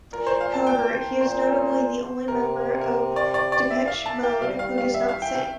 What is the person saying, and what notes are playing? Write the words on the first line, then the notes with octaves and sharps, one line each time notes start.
However, he is notably the only member of Depeche Mode who does not sing.
A#2 A#4
C5
F5
A5
G5
A#2 C5
C3 A#4
A#4
D5
D5
D5
E5
F5
A5
G5
G3 F5
F5
F5
E5
F5
G5
G5